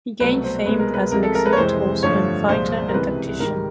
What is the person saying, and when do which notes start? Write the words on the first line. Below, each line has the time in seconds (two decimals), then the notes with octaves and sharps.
He gained fame as an excellent horseman, fighter, and tactician.
0.20 C2 B2 F#3 A3 B4
0.44 C5
0.66 C2 B2 G#3 B4
0.79 A#4
0.94 B4
1.12 C2 C3 F3 G#3 A#4
1.23 A4
1.35 A#4
1.46 B4
1.53 C#5
1.57 F2 C3 E3 G#3 C5
2.03 G2 D3 F3 A3 C#5
2.49 C2 A#2 F3 G#3 C5
2.88 A#4
2.94 C#2 C3 E3 B4
3.39 G#2 D#3 G3 A#4